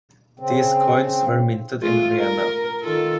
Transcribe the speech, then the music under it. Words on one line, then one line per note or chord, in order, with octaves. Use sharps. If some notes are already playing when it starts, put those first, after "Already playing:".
These coins were minted in Vienna.
C#3 C4
A3 F4 G#4
A#4
D#3 F4 A4